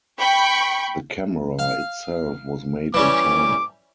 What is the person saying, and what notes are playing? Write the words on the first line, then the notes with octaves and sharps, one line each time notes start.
The camera itself was made in China.
G5 B5 C#6
F5
E3 G3 C#4 D6